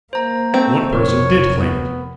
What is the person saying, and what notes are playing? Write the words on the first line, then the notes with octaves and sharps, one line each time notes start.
One person did claim it.
A#3 C5 A#5
A3 C4
F1 A#4 C#5
B3